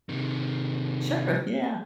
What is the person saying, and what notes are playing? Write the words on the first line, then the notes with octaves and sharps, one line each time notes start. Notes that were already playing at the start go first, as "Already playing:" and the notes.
Sure, yeah.
C3 D#3